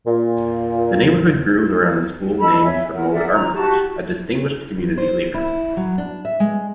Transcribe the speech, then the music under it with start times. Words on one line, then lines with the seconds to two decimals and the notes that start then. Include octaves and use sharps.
The neighborhood grew around the school named for Maude Armatage, a distinguished community leader.
0.07 A#2
2.40 A4 D#5 A5 B5
2.63 C#5 E5 G#5
2.93 A#4 F#5
3.12 A#4 D5 E5 F#5
3.31 A#5
3.54 F#4 G4 A5
4.97 C5
5.34 E4
5.77 F#3
5.98 D4
6.25 E5
6.40 G#3